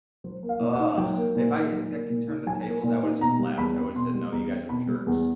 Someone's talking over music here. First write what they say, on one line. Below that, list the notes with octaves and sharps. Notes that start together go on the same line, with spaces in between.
Ugh! If I if I could turn the tables, I woulda just left, I woulda said, "No, you guys are jerks,"
F#3 C5
A#3
F5
A#2
F#5
D#4
F#3 G5
A#3
A#2
D#4
F#3
A#3
A#2
D#4
F#3 G#5
A#3
A#2
D#4
B2 A#5
G3
E2 B5
C4
B2 C6
G3
E2 A#5
C4
B2 B5
G3
E2